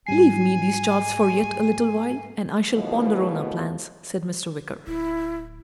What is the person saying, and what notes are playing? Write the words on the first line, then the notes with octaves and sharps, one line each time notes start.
"Leave me these charts for yet a little while, and I shall ponder on our plans," said Mr. Wicker.
G#2 G3 G#5 C7
D#2 B2 E3 F3 G#3 A3
D1 E4